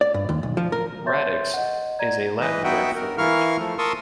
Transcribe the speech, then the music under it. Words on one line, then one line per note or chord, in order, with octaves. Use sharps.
"Radix" is a Latin word for "root".
D5
G2
D#2
B1
F3
A#4
C#5 E5 C6 C#6 G6 A6
D#5 F#5
D5 A#5 G#6
E3 B4 D#5
B3 D#4 F#4 E5 F#5 G5
A#4
E3 E4 A#4 F5 C#6 F6
F3 A3
A#4 A5 C6 C#6 D#6 E6